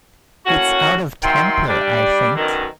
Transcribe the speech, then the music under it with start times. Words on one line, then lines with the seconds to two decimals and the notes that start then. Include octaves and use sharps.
It’s out of temper, I think.
0.47 A2 A#3 C#4 F#4
1.24 D#3 F#3 E5 G5 C6
1.68 G3 D4
2.36 F#2 B2 D3 D#3